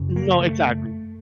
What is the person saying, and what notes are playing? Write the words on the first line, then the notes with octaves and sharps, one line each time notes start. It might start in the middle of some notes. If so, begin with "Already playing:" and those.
No, exactly.
Already playing: F#2 C#3
A#3
A3